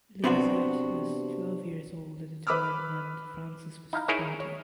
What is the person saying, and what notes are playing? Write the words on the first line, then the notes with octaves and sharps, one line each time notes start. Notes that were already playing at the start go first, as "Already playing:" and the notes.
Louisette was twelve years old at the time and Francis was twenty.
C3 B3 C4 D4 F#4
B4 B5 D6 E6 F6
D#4 E4 F5 A#5
D#4 E4 G#4 A#4 C#5 E5
C#5